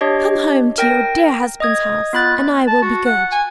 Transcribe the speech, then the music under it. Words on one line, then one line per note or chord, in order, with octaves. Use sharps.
"Come home to your dear husband's house, and I will be good."
D4 G4 C#5 D#5
A#4 G5 A#6
D#5 D#6 G#6
B3 F4 B5 F#6 A6
A5
F#4
F#5
G#5